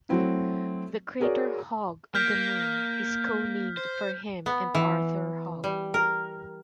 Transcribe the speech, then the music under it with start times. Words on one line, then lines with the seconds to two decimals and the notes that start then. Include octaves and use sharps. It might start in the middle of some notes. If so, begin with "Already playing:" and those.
The crater Hogg on the Moon is co-named for him and Arthur Hogg.
0.09 F#3 A3 C4 E4
1.20 F#4 G#4 A#4 C#5 D5
2.15 A#3 F6 G6 B6
3.77 C5
4.46 B3
4.75 E3
5.64 G3
5.94 A#4